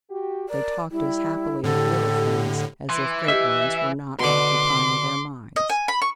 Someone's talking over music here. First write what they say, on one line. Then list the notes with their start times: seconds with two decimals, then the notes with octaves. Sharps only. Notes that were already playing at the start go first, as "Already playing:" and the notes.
They talked as happily of little things as if great ones were not occupying their minds.
0.10 F#4 G4
0.49 A#4 D5
0.92 G3 E4
1.64 A2 D3 G#3 A3 G4 A4
2.89 E3 C6
3.28 G4 D#5 E5 G6
4.20 B2 D3 C6 D6
5.56 D#5
5.70 G#5
5.88 B5
6.02 C#6